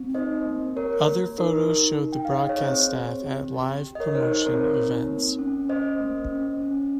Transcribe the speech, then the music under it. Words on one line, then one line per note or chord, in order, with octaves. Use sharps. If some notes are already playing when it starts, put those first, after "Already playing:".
Other photos showed the broadcast staff at live promotion events.
Already playing: C4
D#4 C5 D#5
A#3
G4 A#4 C#5
A#3
D#4 A#4
D#4
D#4
G5
F5
G#4
D#5
C#5
C4 C5
C4
G4
G4
G4
D#5
A#4 C#5
D#4 C5
C5
C4 A#4 C#5
D#4
A#3
C#4
C#4 C5 D#5
A#3
C#4
C#4